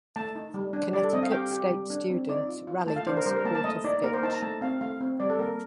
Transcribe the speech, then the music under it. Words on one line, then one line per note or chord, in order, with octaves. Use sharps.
Connecticut State students rallied in support of Fitch.
A3 A5
D#4
G3
D4
G3 D5
A4
C4 D#5
F5
G4 G5
G4
G3
D4
C4
D#4 D5
F4
F4
A3 A5
F5
D4 C5
A#4
G3 C5
A#4
A#3 A5
A5
A3 D#5
D#4 D5
A#3 A#4
C5
D#4 A5
A#5
A3 A5
C4 F5
A3 F5
C4
G3 D5
A4
A#3 A#4